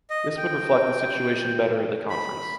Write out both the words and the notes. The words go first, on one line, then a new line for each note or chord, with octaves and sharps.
This would reflect the situation better at the Conference.
D#5
G5
B5